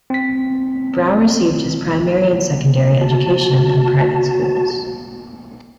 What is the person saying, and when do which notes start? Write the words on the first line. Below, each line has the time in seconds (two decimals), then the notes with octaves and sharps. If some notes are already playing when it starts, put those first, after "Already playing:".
Brau received his primary and secondary education in private schools.
0.10 C4 B6
3.01 F#4 A5